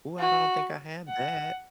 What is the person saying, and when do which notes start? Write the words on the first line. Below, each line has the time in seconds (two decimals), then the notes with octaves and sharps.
Ooh, I don't think I had that.
0.19 F#4
1.08 F#5